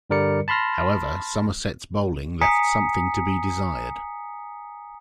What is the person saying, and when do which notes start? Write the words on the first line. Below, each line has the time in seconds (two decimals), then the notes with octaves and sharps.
However, Somerset's bowling left something to be desired.
0.10 G2 D3 G3 A#4 D5 C#7
0.48 A5 B5 C6 F6 A#6
2.41 G#5 A#5 D#6 B6 C#7